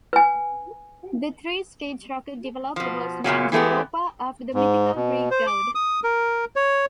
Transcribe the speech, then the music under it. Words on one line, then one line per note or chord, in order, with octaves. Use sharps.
The three-stage rocket developed was named Europa, after the mythical Greek god.
B4 G#5
B2 F3
F#2 A#2 C#3 F#3
E3 G#3 A3 B3 G4
G#2
B2
C5
D6
D#6
A#4
C#5